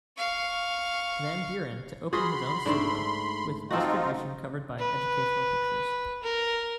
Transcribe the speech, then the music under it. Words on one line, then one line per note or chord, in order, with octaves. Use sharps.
Van Beuren to open his own studio, with distribution covered by Educational Pictures.
F5 C#6
F4 F#4 G#4 B5 C6
G#2 A3 D4
C4 D#4 F4 F#4 A4
B4
A#4